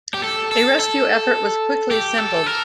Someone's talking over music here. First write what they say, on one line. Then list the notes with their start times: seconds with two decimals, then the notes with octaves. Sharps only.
A rescue effort was quickly assembled.
0.14 G4
0.24 A4
0.52 A4
0.79 A4
1.91 G4
2.18 A4
2.46 A#4